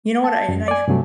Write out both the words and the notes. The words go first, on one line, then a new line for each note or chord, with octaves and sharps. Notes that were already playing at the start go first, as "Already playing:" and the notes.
You know what? I and I f
A5
F#2
D5 G#5
G2 C3 F#3 A3